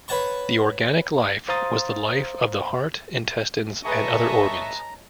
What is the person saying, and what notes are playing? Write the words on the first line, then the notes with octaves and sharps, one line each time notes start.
The organic life was the life of the heart, intestines, and other organs.
B4 C#5 F#5 A5 C#6
C5 F5 A#5 C6 D#6 A6
G#4 B4 C#5 D#5 E5 A5 A#5 C#6